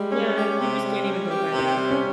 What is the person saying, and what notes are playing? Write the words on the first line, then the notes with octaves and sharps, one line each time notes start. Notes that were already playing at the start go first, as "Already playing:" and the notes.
Yeah, you just can't even go by that.
Already playing: G3 G#3
C#4
G4
C3
G3
C#4
G4
C3
C4
G3
C#4